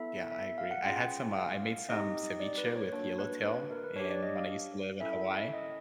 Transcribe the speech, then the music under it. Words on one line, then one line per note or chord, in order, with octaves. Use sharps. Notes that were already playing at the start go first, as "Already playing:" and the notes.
Yeah, I agree. I had some uh, I made some ceviche with yellowtail in when I used to live in Hawaii,
Already playing: B3 E4 A4 E5
E5
F5
F#5
C#4 F4 G#4 G5
F5
C4 D#4 G4 D#5
D#5
D5
B4
C#5
A#3 D4 F#4 C#5
B4
B4
A#4
B4
D4 G4 C#5
D5
D#5
F5
C#4 E4 A4 E5
D#5